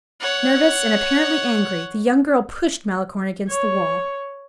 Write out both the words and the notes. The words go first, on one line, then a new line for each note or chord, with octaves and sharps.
Nervous and, apparently, angry, the young girl pushed Malicorne against the wall.
C#5 F#5
C#5